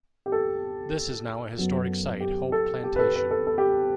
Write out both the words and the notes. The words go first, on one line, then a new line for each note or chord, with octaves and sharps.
This is now a historic site, Hope Plantation.
G4
A4
F#2 F#3 B3
G4
A4
G4
B4
A4
B4
A4
A4
G4